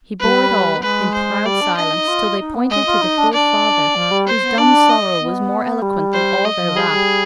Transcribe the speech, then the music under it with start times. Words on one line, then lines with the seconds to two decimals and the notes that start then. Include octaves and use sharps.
He bore it all in proud silence till they pointed to the poor father, whose dumb sorrow was more eloquent than all their wrath.
0.20 G3 B4
0.76 B3
0.83 G#3 B4
1.14 C5
1.46 G3 D5
1.61 D4
1.77 D4 D#5
1.93 D#4
2.07 F4
2.40 D#4
2.54 B3
2.71 G#3 D#5
2.86 F4
3.02 D#4
3.18 D4
3.33 D4 D5
3.96 F3
4.11 G3
4.27 C5
4.42 B3
4.57 D4 D5
4.89 D#5
5.20 B3
5.82 G3
6.14 C5
6.45 D#5
6.61 F3
6.76 G3 G#4
6.91 G3